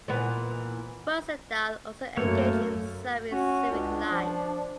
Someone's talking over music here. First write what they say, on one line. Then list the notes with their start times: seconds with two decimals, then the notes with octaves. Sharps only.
Rosendahl also engaged himself in civic life.
0.08 A#2 E3 B3
2.17 F#2 A3 A#3 C#5
3.32 C#4 F#4
3.71 C#2 D4
4.12 F3